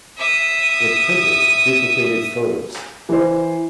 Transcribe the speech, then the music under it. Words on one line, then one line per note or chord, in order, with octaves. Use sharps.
It printed duplicated photos.
E5 D#6
E3 C5